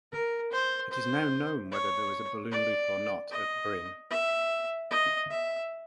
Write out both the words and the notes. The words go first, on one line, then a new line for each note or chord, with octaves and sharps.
It is now known whether there was a balloon loop or not at Bryn.
A#4
C5
C5
C#5
D5
D#5
E5
D#5
E5